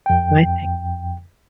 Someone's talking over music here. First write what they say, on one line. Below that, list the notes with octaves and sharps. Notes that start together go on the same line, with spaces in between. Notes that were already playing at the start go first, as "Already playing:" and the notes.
my thing.
F2 G5